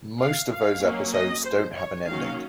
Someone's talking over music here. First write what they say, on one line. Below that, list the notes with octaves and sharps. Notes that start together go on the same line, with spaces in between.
Most of those episodes don't have an ending.
F5
F5
F#3 A#3 C#4
D#5
C5
C#5
D#3 F#3 A#3 C#4 F5